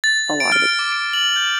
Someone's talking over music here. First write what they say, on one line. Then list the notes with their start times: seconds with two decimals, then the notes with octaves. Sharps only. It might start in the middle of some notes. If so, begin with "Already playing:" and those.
a lot of it's,
0.04 A6
0.40 D7
0.52 F6
0.79 D6
0.92 D7
1.13 F#7
1.36 G6